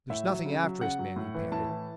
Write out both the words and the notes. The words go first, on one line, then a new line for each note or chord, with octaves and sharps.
"There's nothing after us, men," he panted.
A2 E5
F#3
C#3
F#3
C#3 F#5
F#3
A2
E3
A2 A5
E3